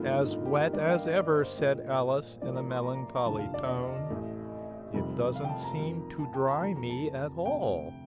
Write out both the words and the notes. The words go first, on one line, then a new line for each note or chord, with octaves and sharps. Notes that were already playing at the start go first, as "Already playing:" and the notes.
'As wet as ever,' said Alice in a melancholy tone: 'it doesn't seem to dry me at all.'
Already playing: G1 G2 D#3 A3 F4
D4
D#4
F4
G4
A#4
G1 G2 D#3 A#3 D5
D#5
G5
F5
D#5
D5
C5
C5
A#1 A#2 A3 D#5
A1 A2 F3 A#3 D5
A#5
C6
A#5
A#5
A#5
F1 D#2 D3 F3 A5
F5
D5
D#5
A1 A2 A3
F1 F2 D#3 G3 C4
F5
G5
A5
A#5
F2 D#3 A#3
A5
G5
A5
F1 F2 D#3 A3 A#5
A#5
A5
D2 C3 F3 G5